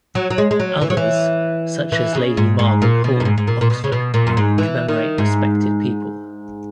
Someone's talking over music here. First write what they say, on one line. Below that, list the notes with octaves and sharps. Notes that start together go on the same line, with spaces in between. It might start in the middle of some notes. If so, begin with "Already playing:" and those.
Others, such as Lady Margaret Hall, Oxford, commemorate respected people.
F#3
F#3
G#3
G#3
F#3
E3
F#3
E3
E3
C#3
G#2
G#2
A#2
B2
F#2
G#2
G#2
A#2
A#2
B2
C#3
B2
A#2
F#2
G#2
E3
D#3
G#2